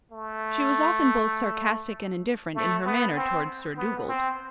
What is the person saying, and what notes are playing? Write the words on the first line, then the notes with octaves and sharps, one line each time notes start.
She was often both sarcastic and indifferent in her manner toward Sir Dugald.
A3
A3
B3
C4
B3
C4